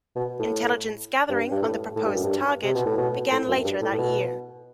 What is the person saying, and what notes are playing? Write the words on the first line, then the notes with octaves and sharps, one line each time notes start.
Intelligence gathering on the proposed target began later that year.
B2
A2
G2
G2
A2
A2
G2
F#2
G2
C3
B2
A2
B2
A2
F#2
G2
A2
A2
B2